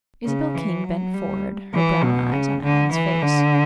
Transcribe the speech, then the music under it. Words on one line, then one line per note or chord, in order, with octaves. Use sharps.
Isabel King bent forward, her brown eyes on Alan's face.
C#3
E3
F#3
G3
E3
B2
C#3
D3
E3
D3